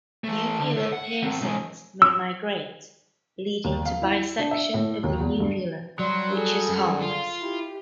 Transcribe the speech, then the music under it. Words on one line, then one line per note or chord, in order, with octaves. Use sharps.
Uvula piercings may migrate leading to bisection of the uvula, which is harmless.
E3 A3
D3
A4 C#5
F#5
D#3 C4
B1 G#3
E6
D#2
F5
E4
D4
E5
A2
D#2
E2
G2
F#3 G3 C6
G#4 A4
F#2
F4
E4 G4